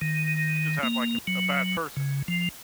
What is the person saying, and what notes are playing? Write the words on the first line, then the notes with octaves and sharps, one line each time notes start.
you just have, like, a a bad person.
D#3
A#3
F#3
C#3
F3